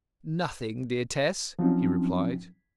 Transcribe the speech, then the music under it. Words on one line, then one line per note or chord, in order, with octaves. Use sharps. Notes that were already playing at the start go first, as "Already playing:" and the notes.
"Nothing, dear Tess," he replied.
F3 F#3 C4 C#4 D#4